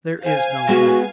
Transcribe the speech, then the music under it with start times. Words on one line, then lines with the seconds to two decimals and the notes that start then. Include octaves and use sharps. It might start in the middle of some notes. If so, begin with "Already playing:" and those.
There is no hope.
0.23 C5 F5 G#5
0.68 G#3 B3 F#4